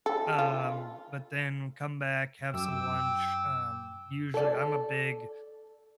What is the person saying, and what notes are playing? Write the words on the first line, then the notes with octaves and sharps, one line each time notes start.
Um, but then come back, have some lunch um, usually, I'm a big
A4
F4
F#2 G5 D6 E6
A4 D5